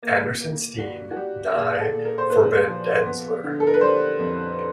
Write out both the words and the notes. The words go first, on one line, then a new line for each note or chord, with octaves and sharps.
Andersen, Steen: Nye forbindelser.
A#3
A#3
G3 F#4
F#4
G3 G4
A#2 G#4
A4
A#2
A#4
C5
A#2 B4
F3
B3
D3
A4
A#4
B4
G3 C5
F2